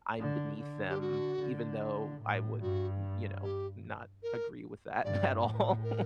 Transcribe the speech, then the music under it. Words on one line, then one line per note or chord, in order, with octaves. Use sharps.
I'm beneath them, even though I would m you know, not agree with that at all.
D3
D3
G4
F#4
D3
A2
G2 F#4
G4
A#4
G2 D5
A2
A#4